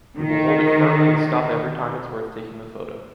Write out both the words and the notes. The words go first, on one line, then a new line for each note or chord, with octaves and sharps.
We will hold it firmly and stop every time it’s worth taking the photo.
D#3